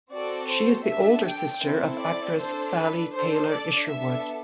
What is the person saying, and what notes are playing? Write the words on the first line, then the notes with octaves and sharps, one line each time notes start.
She is the older sister of actress Sally Taylor-Isherwood.
C4 F#4 A4 D5
C5
D4 A4 E5
G5
C4 E4 A4
D5
D4 A4 C5
B4
D4 A4 C5
D5
B3 D4 A4 E5